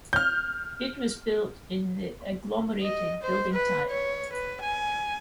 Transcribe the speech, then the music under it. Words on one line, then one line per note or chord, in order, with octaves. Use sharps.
It was built in the "agglomerated building type".
F6 G6
D#5
C5
B4
C#5
B4
G#5